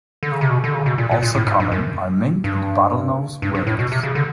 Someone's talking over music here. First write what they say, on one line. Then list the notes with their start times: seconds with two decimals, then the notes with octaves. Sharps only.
Also common are minke and bottlenose whales.
0.23 D3
0.32 C#3
0.41 C3
0.50 B2
0.64 D3
0.74 C#3
0.86 B2
0.98 A#2
1.11 A#2
1.23 A#2
1.35 A2
1.47 G#2
1.60 G2
1.72 F#2
2.44 G2
3.42 G2
3.55 G2
3.67 A2
3.79 B2
3.92 C3
4.03 C#3
4.15 D3